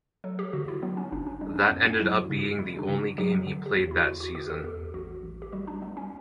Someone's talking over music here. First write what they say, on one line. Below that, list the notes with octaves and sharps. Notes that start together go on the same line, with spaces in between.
That ended up being the only game he played that season.
F#3 A4
G4
D3 F#4
E4
F#3 B3
C#4
G1 D4
C#4
G3 D4
C#4
F#2 B3
C#4
F#3 E4
F#4
C#3
G4
G3 E4
C#4
D4
C#3
F#4
F#3 G4
D3
G4
E2 F#4
E4
E2 F#4
F#4
D3 G4
A4
E2 G4
A1 F#4
A1
G4
G3 F#4
D4
G3 B3
C#4